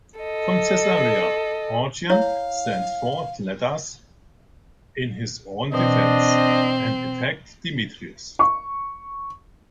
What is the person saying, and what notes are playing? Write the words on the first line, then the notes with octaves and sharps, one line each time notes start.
From Caesarea Origen sent forth letters in his own defence, and attacked Demetrius.
A4 D#5
E4 C#5 F5
B2 E3 C4 D4 D#5
C#6